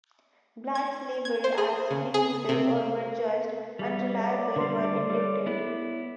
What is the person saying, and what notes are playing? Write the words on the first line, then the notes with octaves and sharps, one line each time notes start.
Blacks labeled as ringleaders or who were judged "unreliable" were indicted.
G#6
G#6
C5
G#4
C#3
G#4
C3
G3 G#4 E5
C#5 D5 E5
D3 G3 C5 C6 C7
G3 A4 C#5
B3 E4